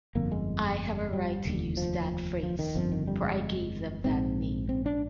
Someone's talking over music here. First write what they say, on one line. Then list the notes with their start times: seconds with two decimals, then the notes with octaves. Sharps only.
I have a right to use that phrase, for I gave them that name.
0.15 G1 F2 D3 A#3
0.31 G#3
1.13 G3
1.45 F1 D#2 D3
1.77 F3
2.43 F3
2.59 D#3
2.75 G1 F2 D3 F3
2.92 D#3
3.07 G3
3.24 G#3
4.04 A#1 G#2 C4
4.69 C4
4.86 D4